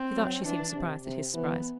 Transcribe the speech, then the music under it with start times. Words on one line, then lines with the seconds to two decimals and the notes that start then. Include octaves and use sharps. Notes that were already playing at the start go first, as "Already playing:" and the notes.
He thought she seemed surprised at his surprise.
Already playing: C4
0.15 F#3
0.44 E3 D4
0.74 C3
1.04 C3
1.33 E3 B3